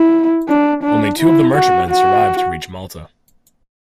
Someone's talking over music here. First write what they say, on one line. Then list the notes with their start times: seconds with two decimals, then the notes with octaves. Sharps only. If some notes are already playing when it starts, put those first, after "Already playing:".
Only two of the merchantmen survived to reach Malta.
Already playing: E4
0.49 D4
0.84 D4
1.19 E4
1.55 F#4
1.90 F#4